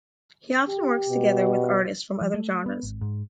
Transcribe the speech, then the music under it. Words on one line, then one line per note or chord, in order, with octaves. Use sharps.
He often works together with artists from other genres.
G4
B2
F3
A3
B3
G#1
G#2